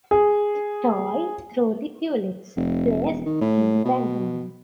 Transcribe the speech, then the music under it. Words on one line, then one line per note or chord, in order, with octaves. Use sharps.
"Tiptoe Through the Tulips" plays in the background.
G#4
F1
E1
D#3
A2
B2